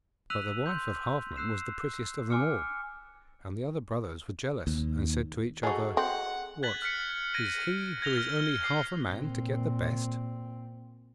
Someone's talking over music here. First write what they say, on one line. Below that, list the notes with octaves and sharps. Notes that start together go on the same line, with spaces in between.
But the wife of Halfman was the prettiest of them all, and the other brothers were jealous and said to each other: 'What, is he who is only half a man to get the best?
E6 F#6 B6 D#7 F7 F#7
C6 G6
E6 F#6 C7 E7
G#5 D6 F6 C#7
D#2
D#4 F#4 G#4 A4
C4 F#5
F#6 G#6 A6 B6 F#7
F6 F#6 B6 C#7
G#6 A#6 D7 D#7
G#6 A#6 F7 G7
F6
C7 G7
A#2 C4